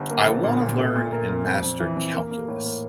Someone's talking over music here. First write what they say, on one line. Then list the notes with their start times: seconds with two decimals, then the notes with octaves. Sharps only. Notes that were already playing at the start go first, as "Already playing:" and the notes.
I wanna learn and master calculus.
Already playing: G1
0.10 A#3
0.27 A#1
0.44 A#2
0.61 A#2
0.78 A3
0.96 A#2
1.12 A#4
1.29 A#4
1.46 F2
1.63 F2
1.80 E3
1.96 F2
2.14 A#3
2.31 A#3
2.48 A2
2.65 A#3